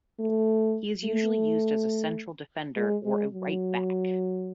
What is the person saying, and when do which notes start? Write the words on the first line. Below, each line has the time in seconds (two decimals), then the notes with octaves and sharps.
He is usually used as a central defender or a right back.
0.19 A3
1.05 A3
2.76 G#3
3.05 G#3
3.33 F#3